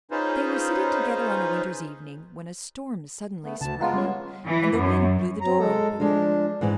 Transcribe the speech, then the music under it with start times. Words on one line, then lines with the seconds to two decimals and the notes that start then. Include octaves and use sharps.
They were sitting together on a winter's evening, when a storm suddenly sprang up, and the wind blew the door open.
0.11 C#4 D#4 F4 G#4 B4 C5
3.44 A3 B3
3.61 D2 C#3 A5
3.81 G#3 B3 F4 F5 F#5 A#5
3.94 G3 C#4 C#5
4.45 E3
4.77 F#2
5.41 F#3 A#5
5.59 G#3 A4
6.00 F3 G#3 D4
6.61 G#2 E3 G#3